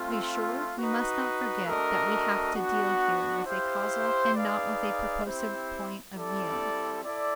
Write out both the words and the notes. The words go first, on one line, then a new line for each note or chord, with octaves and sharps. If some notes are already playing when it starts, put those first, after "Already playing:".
To be sure, we must not forget that we have to deal here with a causal and not with a purposive point of view.
Already playing: A3 C4 F4
D#4 F#4 B4
A3 D4 F#4 A#4 D#5
B3 D4 F#4
E4 G4 C5 F5
D#4 G#4 B4 D5 F5
C4 E4 G4 C5
G3 C4 E4 A4 D5
E4 A4 D5